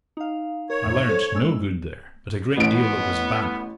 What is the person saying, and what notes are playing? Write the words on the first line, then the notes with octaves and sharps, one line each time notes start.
I learnt no good there, but a great deal that was bad.
D#4 F5
A#4 C#5
F2 A2
A4 C5
G#3 D4 E6
A1 B3 D7